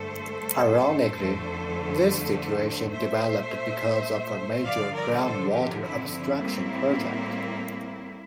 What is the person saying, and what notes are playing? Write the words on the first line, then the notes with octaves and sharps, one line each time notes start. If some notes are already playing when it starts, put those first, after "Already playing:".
Ironically, this situation developed because of a major groundwater abstraction project.
Already playing: G2 D3 A3 A4 C5
F2 D3 A3
A#2 A3 C5 E5
G2 D3 F3 D5 F5
A#4 D5
A4 C5
G4 A#4
C4 E4
C4 E4
A2 G3 A#3